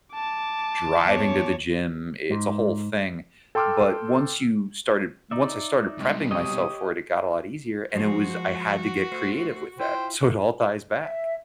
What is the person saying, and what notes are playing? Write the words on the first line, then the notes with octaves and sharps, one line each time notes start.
driving to the gym, i it's a whole thing, but once you started once I started prepping myself for it, it got a lot easier, and it was I had to get creative with that, so it all ties back.
A5 D6
E2 C#5
G#2
A4 G5 C6 D6 E6 F6
D#4 D5 E5
C2 B2 G#3
G4 C#5 D#5 D#6
F3 G#3 F#4 C5
A3 C5
E4 F4 C5 G5
E5